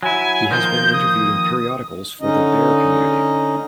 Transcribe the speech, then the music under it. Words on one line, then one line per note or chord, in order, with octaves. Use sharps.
He has been interviewed in periodicals for the "Bear" community.
F#3 E4 G#5
D#3 F3 A#3 G6
D#6
D3 C#4 D#4 D#5